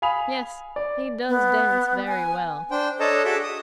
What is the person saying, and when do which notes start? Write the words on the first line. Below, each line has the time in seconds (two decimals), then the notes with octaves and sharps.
"Yes, he does dance very well."
0.02 F5 G#5 B5 D#6 F7
0.76 D5
1.29 B3
2.07 G#5
2.71 D4 C5 G5
3.00 D4 A4 C#5 D#5 A5 A#5
3.25 F#4 G#4 A4 E5 A5 D6
3.43 D#6